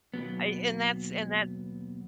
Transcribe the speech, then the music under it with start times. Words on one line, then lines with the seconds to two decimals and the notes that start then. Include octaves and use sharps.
I and that's and that
0.14 D#2 B2 F#3 B3